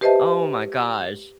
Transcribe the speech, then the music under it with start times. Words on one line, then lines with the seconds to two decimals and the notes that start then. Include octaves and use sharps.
Oh my gosh.
0.01 G4 B4 C5 D#5 E5 A5